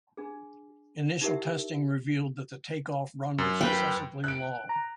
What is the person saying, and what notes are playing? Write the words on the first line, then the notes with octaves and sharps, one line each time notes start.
Initial testing revealed that the takeoff run was excessively long.
D4 G#4
D#4 E4 G4 A#4 E5
F#2
B4 G5
F#6 D7
A#5